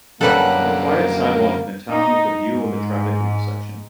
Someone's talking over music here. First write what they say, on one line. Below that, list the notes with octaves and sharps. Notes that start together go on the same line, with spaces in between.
A quiet sidewalk in a town with a view of a traffic intersection.
F#2 D3 F#3 G3 A#3 A4 B4 F#5
D#4
G#2